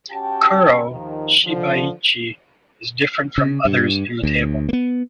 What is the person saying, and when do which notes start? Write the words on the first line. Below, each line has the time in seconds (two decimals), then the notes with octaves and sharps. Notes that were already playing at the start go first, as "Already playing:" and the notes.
Kuro-Shibuichi is different from others in the table.
0.11 C#4 F#4 G4 G5 A5
0.91 D#2 D#3 F3
1.44 D3 F3
3.38 C#3
3.65 G2
4.23 D2
4.69 A#3 B3